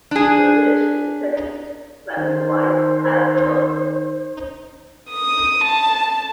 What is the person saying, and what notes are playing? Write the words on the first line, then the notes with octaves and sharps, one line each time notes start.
The dish is finished when the rice has cooked.
D4 G#4
D#3 C5
D#6
A5